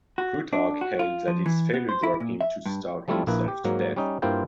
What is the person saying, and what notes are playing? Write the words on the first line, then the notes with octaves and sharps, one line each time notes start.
Plutarch held that its failure drove him to starve himself to death.
F#4
D4
F#4
F4
F3
E3
B3
C5
E4
A#2
E5
G2
F3 G3 A3 C4 E4 F4
A#1 A#3 E4 B4
G4
G#2 F#3 A#3
G3 C#4 D#4
G2 A#3 E4 F4 C5 G5